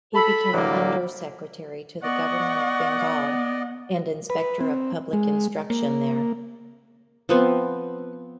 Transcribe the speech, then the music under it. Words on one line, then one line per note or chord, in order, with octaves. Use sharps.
He became under-secretary to the government of Bengal, and inspector of public instruction there.
A4 B5
A2 D3 E3 F#3 G3 A#3
B3 D5 D#5 F#5 C#6
B4
C4
G#3
A#3
F3 B3 C4